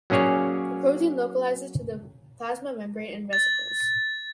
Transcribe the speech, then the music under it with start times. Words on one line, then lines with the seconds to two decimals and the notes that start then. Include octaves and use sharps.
The protein localizes to the plasma membrane and vesicles.
0.10 F#3 A#3 C#4 G#4 C#5 D5
3.33 A6